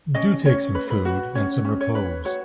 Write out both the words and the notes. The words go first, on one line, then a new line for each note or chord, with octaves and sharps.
Do take some food, and some repose.
C#4 D#5
C#4 C#5
B4
B4
F#4
C#4 C#5
C#4
C#5
B4
F#4 C#5